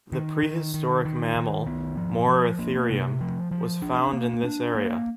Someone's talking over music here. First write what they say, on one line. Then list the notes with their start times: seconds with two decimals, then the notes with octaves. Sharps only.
The prehistoric mammal "Moeritherium" was found in this area.
0.12 D#3
0.43 D#3
0.74 D#3
1.05 D#3
1.35 D#3
1.66 B3
1.97 F3
2.28 F3
2.59 A#3
2.90 C3
3.21 F3
3.51 F3
3.82 D4
4.13 A#3
4.44 D4
4.75 A#3